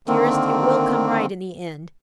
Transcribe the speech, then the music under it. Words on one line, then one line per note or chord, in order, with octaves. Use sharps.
Dearest, it will come right in the end.
D3 D#3 A#3 C4